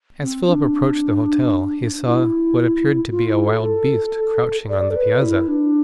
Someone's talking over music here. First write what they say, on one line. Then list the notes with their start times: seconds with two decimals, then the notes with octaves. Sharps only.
As Philip approached the hotel he saw what appeared to be a wild beast crouching on the piazza.
0.22 C4
0.48 D4
2.06 E4
3.11 F4
3.28 E4
3.46 A4
4.69 D5
4.91 A4
4.96 B4
5.21 E4
5.48 D4